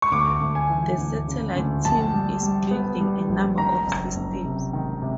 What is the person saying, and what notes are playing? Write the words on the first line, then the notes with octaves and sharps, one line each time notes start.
The satellite team is building a number of systems.
C#6
D2 D6
D2
G#5
E3
D2
C#3
D2
A#1 A5
G3
G3
B3
G3
A#1
D#3 A#5
F#1
F#1
C3
D#3
C3